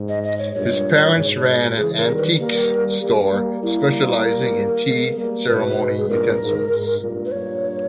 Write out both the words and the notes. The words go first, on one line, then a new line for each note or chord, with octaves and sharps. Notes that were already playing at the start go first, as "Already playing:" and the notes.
His parents ran an antiques store specializing in tea ceremony utensils.
Already playing: G#2
D#5
D#5
C#5
G2 A#2 C#5
G#2 B2
C#3 E3 G#4
A#4
D#3 G3
B4
G3 A#3 A#4
G3 A#3 G4
G3 A#3
G3 A#3 E4
A#4
G#3 B3
G3 A#3
G#2 B2 B4
G#4
G2 A#2 A#4
G#2
G#2
G2 A#2
B4
G2 A#2 C#5